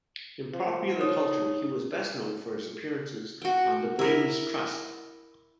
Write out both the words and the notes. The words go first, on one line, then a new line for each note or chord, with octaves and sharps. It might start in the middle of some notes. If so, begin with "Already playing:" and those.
In popular culture he was best known for his appearances on The Brains Trust.
F3
D#4 C#5 D#6
F#4 G5
E4 A#4